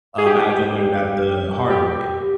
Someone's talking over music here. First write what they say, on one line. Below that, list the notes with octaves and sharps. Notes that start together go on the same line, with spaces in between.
um, I had to learn that the hard way.
G#4
G4
G4